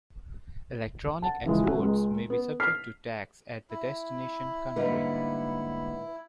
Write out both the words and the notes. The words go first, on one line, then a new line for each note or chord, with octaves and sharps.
Electronic exports may be subject to tax at the destination country.
F#5 A5
C#3 E3 F3 G#3
A3 C#4 F#4
C#2 G#3
B3
F6 B6 C7
E4
G#2 D3 G3 A#3 B3 B4